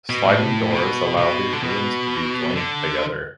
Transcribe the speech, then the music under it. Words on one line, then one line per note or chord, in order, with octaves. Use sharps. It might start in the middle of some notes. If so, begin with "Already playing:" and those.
Sliding doors allow these rooms to be joined together.
B2
A2
B2
B2
D3
B2
D3